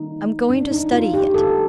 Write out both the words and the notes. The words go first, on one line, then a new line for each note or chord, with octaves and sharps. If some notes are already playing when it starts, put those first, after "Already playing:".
I'm going to study it.
Already playing: D#3 G3 A#3 D#4
D4
D#4
F4
G4
D3 G3 A#3 A4